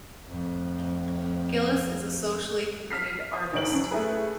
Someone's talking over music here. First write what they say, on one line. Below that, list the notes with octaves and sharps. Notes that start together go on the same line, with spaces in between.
Gillis is a socially committed artist.
F2 A2
F6 B6 C7
D#6
D2 G#2 D#3 C#5 D7 F#7
F#2
A3 E4 G#4 B4